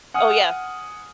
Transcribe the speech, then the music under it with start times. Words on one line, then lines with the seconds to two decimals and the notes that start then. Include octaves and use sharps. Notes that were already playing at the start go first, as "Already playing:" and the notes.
Oh, yeah.
0.14 F#5 G#5 D#6 F6